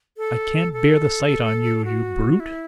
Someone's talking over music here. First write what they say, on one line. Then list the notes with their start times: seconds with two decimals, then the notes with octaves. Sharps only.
I can't bear the sight on you, you brute.'
0.17 A4
0.73 A4
1.85 F#4
2.40 E4